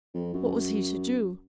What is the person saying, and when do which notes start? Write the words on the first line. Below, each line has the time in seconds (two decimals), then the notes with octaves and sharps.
What was he to do?
0.14 F2
0.34 F#2